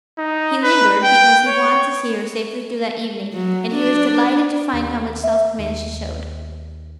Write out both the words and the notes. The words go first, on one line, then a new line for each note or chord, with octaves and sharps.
He lingered, because he wanted to see her safely through that evening, and he was delighted to find how much self-command she showed.
D#4
B4
G5
C#5
F#3
D4
D#2
E5
D#2